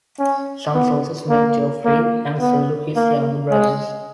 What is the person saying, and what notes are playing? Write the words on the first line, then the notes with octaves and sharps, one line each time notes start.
Some sources make Geoffrey and Serlo his younger brothers.
C#4
B3
A#3
A#3
B3
A#3
G#3